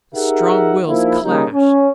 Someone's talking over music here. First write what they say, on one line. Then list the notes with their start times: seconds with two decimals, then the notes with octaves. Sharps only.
The strong wills clashed.
0.15 D#4 G4 G#4 A#4 E5 F#5
0.87 F3 A#3 D#4 E4
1.24 C#3 G3 A#3 D#4
1.54 C#4